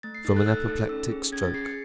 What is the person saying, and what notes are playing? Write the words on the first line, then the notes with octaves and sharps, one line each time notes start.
"From an apoplectic stroke."
A3 A6
C7
D#4 A4 A6
F#6
A3 E6
D#4 A4
C#4 E6
G#4
C#4 G#6
A6
G#4 C7
C#7